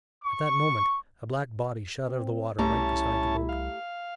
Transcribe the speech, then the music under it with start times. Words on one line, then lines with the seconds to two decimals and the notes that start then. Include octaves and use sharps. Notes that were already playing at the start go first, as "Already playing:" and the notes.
At that moment a black body shot out of the water right beside the boat.
0.25 C#6
2.09 C4
2.59 C2 A3 C#4 E4 G4 A5 A#5
3.49 F5